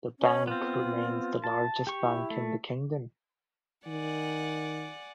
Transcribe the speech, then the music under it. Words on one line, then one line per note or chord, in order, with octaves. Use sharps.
The bank remains the largest bank in the kingdom.
C#4
B3 C4 F4
A5
G4 C#6
E4
A3
D#3 D5 F#5 G#5